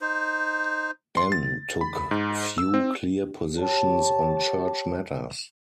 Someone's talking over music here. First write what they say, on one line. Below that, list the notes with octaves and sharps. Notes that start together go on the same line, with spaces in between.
Anne took few clear positions on church matters.
D#4 C5
C6
A6
B5
G#2
E6
C4
G4 C#5 A5